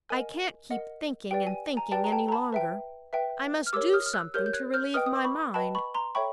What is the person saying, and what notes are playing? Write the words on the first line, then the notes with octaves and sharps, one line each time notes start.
I can't keep thinking and thinking any longer; I must do something to relieve my mind.
A#4 D#5 F#5 G#5
A#4 D#5 F#5
G4 B4 D5 G5
G#5
G#5 A#5
G4 B4 D5 G5 A5
A#5
G5 A5
A#5
A5 B5
B4 E5 G5
B4 E5 G5
F6
G4 A#4 C#5 D6 E6
D#6 F6
F6
E6 F#6
G4 A#4 C#5 F6 G6
G6
F#6 G#6
F6 G6
B4 D#5 G5 D#6 F6
D#6
D6
B5 C#6
B4 D#5 G5 A5 B5
B5 C#6
A#5 C6
A4 C#5 E5 G5 B5 C#6